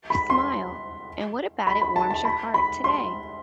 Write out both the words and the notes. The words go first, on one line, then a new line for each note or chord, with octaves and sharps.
smile, and what about it warms your heart today?
B5
C6
B5
B5
A5
A5
B5
B5
C6